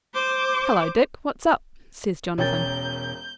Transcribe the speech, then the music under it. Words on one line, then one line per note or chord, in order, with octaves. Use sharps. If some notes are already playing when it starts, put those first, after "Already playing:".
'Hello, Dick, what's up?' says Jonathan.
C5 D6
E1 B2 C#4 A#4 C#5 G5 G6 A6